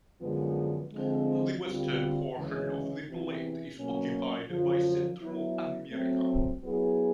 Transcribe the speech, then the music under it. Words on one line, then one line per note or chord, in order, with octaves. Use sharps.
The western portion of the plate is occupied by Central America.
F#2 D3 F3 G#3 B3
D3 F3 G#3 C4
D2 D3 G3 C4 F4
D2 C#3 E3 G#3 C#4
E2 C3 E3
B2 F#3 A#3 C#4
F#2 D3 F3
F#3 B3 E4
F#3 A3 C4
F#3 B3 E4 G#4